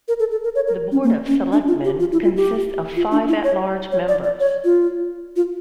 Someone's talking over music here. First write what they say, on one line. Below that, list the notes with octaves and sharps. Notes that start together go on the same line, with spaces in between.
The Board of Selectmen consists of five at-large members.
A#4
A4
A4
A#4
C#5
A#4
C#4
A#3
C#4
D4
F4
G4
F4
E4
F4
G4
F4
D4
E4
C#5
C#5
D5
D5
C#5
F4
F4